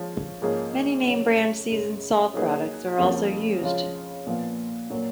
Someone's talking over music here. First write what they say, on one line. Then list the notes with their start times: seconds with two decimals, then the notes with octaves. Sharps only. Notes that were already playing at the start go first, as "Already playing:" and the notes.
Many name brand seasoned salt products are also used.
Already playing: F3 G#3 C#4 F4
0.42 G#2 F3 A#3 C#4 G#4
1.06 C#3 F#3 C#4
1.70 F#2 C#3 G#3
2.34 F#3 A#3 D#4 G#4 B4
2.98 F2 C#3 F3 A#3 F4
3.62 C#3 F3 G#3 C#4 F4
4.27 A#2 F3 B3 F4
4.90 A#2 F#3 A#3